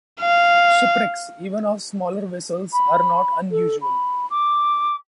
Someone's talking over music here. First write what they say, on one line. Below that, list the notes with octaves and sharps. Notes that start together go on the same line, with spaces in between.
Shipwrecks, even of smaller vessels, are not unusual.
F5
B5
A4
B5
D6